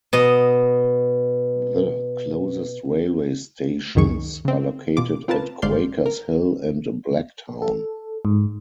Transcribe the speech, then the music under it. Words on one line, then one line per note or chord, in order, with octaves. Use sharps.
The closest railway stations are located at Quakers Hill and Blacktown.
B2 D#5
C#2 F#2 D#3 G#4 C#6
C#3 C4
B2 F4 D6
C4 F4 A#4 B4 A5
G1 G#2 D5 F5 C6 G6
A#4
A4
G#2